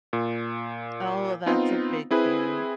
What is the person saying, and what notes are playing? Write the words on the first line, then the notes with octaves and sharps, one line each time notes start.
Oh, that's a big thing.
A#2
B3 C4 D#4 F4
C4 E4 G#4 B4